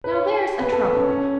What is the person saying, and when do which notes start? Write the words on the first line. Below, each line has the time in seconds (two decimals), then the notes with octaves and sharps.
Now, there's a trouble.
0.04 B4
0.12 C#5
0.60 B4
0.72 A4
0.84 B3
0.97 C#4
1.09 C#4